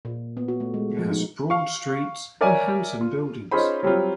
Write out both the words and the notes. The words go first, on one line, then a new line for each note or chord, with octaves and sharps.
It has broad streets and handsome buildings.
A#2
B3
F#4
A3
G#3
F3
D#4
F5 C#6
A#4 C#5 D5 E5 G#5
F4
C#4 D#4 F4 G#4 C5 B5
F#3 G3 C4 F4